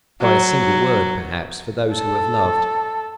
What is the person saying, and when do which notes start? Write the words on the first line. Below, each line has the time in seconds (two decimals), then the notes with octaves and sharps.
By a single word, perhaps, for those who have loved.
0.21 F#3
1.94 A4